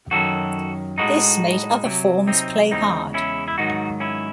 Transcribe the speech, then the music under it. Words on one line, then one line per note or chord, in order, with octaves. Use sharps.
This made other forms play hard.
F#2 D#3 F#3 F#4 A4
A2 G#3 D#4 F#4
C3 F#3
C4 D#4
E2 C#3 G#3 C4 D#4
C#4 E4
E4
G#2 D#3 F#3 D#4 F#4
C#4 E4